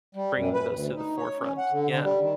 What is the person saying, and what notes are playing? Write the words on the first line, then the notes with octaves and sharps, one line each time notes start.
bringing those to the forefront, yeah.
G3
F#2
B4
D2
D#4
C#5
C#4
F#5
D3
D3
G3
D#3